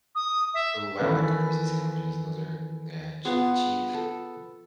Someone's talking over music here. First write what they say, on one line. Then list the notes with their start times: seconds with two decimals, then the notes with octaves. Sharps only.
Ooh, I don't like Caprese sandwiches. Those are th nah. Ch the chee
0.15 D#6
0.54 E5
1.00 D#3 E3 C#4 A4 B4
3.25 B3 F4 G#4
3.94 A4